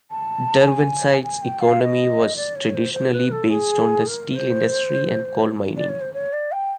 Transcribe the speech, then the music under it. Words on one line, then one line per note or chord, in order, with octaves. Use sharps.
Derwentside's economy was traditionally based on the steel industry and coal mining.
A5
A5
G#5
G#5
G5
F5
D#5
D5
C#5
C5
C5
B4
A4
G#4
A#4
C5
D5
C#5
C5
C#5
D5
G5